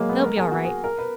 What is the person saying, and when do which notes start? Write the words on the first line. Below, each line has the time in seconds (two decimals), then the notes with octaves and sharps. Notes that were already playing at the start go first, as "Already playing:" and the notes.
'They'll be all right.
Already playing: F#3 G#3 A#3
0.09 B3
0.24 A#4
0.37 G#4
0.51 F#4
0.65 G#4
0.84 A#4
0.98 B4